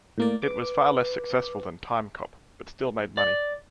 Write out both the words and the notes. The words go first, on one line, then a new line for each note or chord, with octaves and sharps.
It was far less successful than "Timecop" but still made money.
A2 A#3 D5
B4 D6
D5